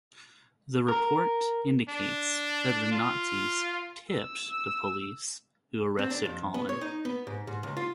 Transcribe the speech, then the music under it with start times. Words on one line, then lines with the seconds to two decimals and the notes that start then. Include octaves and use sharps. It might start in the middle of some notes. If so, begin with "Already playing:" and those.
The report indicates that the Nazis "tipped" the police who arrested Collin.
0.88 A#4
1.89 D4
2.92 F4
4.14 E6
5.99 C4
6.10 D4
6.25 F2
6.54 B3
6.69 C#5
6.81 D#4
7.05 B3
7.27 G#2
7.47 G#2
7.63 C#2
7.77 F4